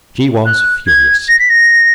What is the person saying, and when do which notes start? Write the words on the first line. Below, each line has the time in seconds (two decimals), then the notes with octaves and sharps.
She was furious.
0.45 F#6
0.86 G#6
1.28 A#6
1.38 B6
1.49 A#6